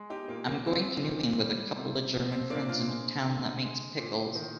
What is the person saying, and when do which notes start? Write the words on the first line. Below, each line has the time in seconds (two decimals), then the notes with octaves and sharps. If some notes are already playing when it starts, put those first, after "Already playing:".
I'm going canoeing with a couple of German friends in a town that makes pickles.
Already playing: G#3
0.10 D#4 G4
0.28 A#2 A#3
0.47 A#3
0.66 G#3 C4
1.02 A#2
1.39 G3
1.76 C3
2.13 F3
2.32 C4
2.50 C3 A#3 D4
2.68 D4 F4
2.87 G#3
3.24 D3
3.62 G#3
3.98 A#2
4.35 D#3